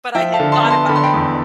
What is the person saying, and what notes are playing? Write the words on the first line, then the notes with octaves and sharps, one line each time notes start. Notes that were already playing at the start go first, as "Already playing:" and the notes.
But I had thought about it.
F3 E5 G5
F5 A5
D3
A5 C6
B3
A5 C6
D3 B5
C6
G5 B5
E2